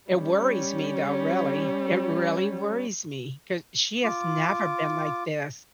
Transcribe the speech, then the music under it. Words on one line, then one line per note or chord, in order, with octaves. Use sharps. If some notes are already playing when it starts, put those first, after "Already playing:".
It worries me though, really, it really worries me, 'cause she has never been like this.
G3 C#4
F4 D6